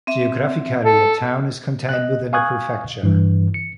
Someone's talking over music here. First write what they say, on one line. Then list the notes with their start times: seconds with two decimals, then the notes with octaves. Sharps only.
Geographically, a town is contained within a prefecture.
0.07 C4 E5
0.85 A4
1.89 D#5 F#6
2.33 F5 G#5 C#6 D#6 F#6 G#6
3.03 G2 E3
3.54 C#7